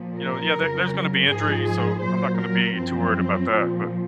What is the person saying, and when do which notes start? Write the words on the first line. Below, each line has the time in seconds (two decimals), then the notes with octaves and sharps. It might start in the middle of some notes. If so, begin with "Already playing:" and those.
You know, yeah, there there's gonna be injuries, so I'm not gonna be too worried about that. But
Already playing: A#2 F3
0.16 A#4
0.53 F2 C#3 F#3
1.27 G#2 F3 G#4
1.65 G#4
2.02 A#2 F#3 C5
2.39 A#4
2.76 F#2 F3 C4
3.51 A#2 F3